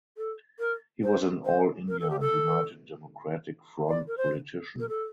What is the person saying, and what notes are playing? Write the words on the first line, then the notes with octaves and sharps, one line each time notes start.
He was an All India United Democratic Front politician.
A4
A#4
C5
C5
A#4
A4
G4
A4
D5
A#4
C5
A#4
A4